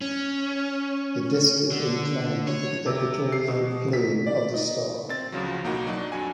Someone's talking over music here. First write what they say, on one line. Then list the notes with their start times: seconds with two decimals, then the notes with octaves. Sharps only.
The disk is inclined to the equatorial plane of the star.
0.01 C#4
1.72 D3
2.47 C#5
2.86 C3
3.32 C7
3.48 B2
3.93 B6
4.26 D5
4.54 D#4
5.09 C4 A6
5.32 D2 C#3 F3 F#3
5.64 B1 A#3 D#4 F#4
5.87 F#3 D4 D#4
6.12 F2 F#4 G#5